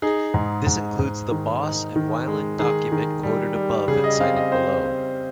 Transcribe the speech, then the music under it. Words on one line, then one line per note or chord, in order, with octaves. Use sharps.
This includes the Boss and Wilen document quoted above and cited below.
D#4 G#4
G#2
G#2
G#2
D#3
D#4
D#3
G#3
D#3 G#4
D#3
G3
G3
C#3 G#4
D#5
C4 F5
D#5
C4 C5
C4